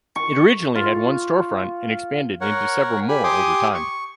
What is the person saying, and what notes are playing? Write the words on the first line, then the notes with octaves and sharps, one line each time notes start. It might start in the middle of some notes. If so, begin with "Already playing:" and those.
It originally had one storefront and expanded into several more over time.
C#6
F4
A#4 C#5 F#5
G4 G#5 B5
G4 G#5 C6 D6 D#6
C#6